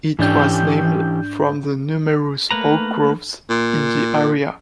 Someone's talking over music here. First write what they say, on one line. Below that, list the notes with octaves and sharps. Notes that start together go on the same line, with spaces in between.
It was named from the numerous oak groves in the area.
G#2 E3 C#4 D4 G4 G6
A3 A#3 B4 A#5
A#2